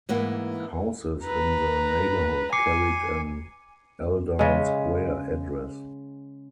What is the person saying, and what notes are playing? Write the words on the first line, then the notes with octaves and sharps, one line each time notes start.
Houses in the neighborhood carried an "Aldine Square" address.
G#2 E3 A#3 B3
B4 A#5
G#5 D6 C7 C#7
C#3 G#3